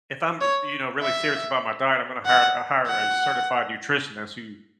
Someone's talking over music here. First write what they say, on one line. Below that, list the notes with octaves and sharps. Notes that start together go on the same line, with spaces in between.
if I'm, you know, really serious about my diet, I'm gonna hire hire a certified nutritionist who,
C#5
E5
F#5
F#5